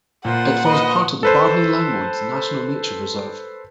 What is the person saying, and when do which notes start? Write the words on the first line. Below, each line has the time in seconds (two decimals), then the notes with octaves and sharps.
It forms part of the Bardney Limewoods National Nature Reserve.
0.25 A#2 F4 B4 C5 F#5
0.66 B4 C5 D#5
1.23 A4 B4 C5